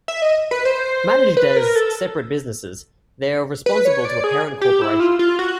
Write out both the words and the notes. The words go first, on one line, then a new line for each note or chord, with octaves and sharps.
Managed as separate businesses, they are responsible to a parent corporation.
E5
D#5
B4
C5
B4
A#4
A4
B4
C#5
D5
G#4
G4
E4
F4
F4
F#4